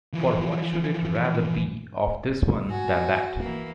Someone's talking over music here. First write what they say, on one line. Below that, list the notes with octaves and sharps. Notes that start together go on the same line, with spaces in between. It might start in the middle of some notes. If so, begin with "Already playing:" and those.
For why should it rather be of this one than that?
E3 F3
F#4 G#5
E3 A#3